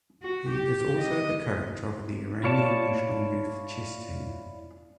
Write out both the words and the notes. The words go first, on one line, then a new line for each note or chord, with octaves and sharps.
He is also the coach of the Iranian national youth chess team.
F#4
G4
D#5
E4 F4 C#5 D5 A5